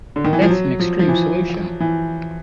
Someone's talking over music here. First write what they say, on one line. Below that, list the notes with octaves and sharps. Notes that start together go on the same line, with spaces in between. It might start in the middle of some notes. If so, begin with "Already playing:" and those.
That's an extreme solution.
D3
D#3
E3
F3
F#3
F3
F3
E3
E3